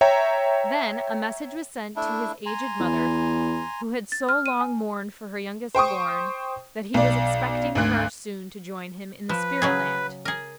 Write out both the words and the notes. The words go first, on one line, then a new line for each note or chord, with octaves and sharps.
Then a message was sent to his aged mother, who had so long mourned for her youngest born, that he was expecting her soon to join him in the spirit land.
C#5 E5 G5 A#5
A3 D4 E4
G#5 A#5 C6
E2
A6
F6
D#7
G#5
C5 G5 C#6 D#6
B1 D5
G#1 D2 F#6
F3 B4
C#3 F#3 G#4
G#4 A#4